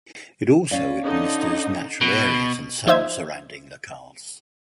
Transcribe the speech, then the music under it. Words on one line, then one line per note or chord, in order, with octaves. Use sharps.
It also administers natural areas in some surrounding locales.
C#4 D5 F5
D3 D#4 D#5
B2
F3 D#4 C5 E5 G#6